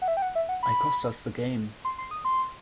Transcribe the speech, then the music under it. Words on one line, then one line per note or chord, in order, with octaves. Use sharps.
I cost us the game.
F#5
E5
G5
F#5
E5
F#5
B5
C6
C6
D#6
C6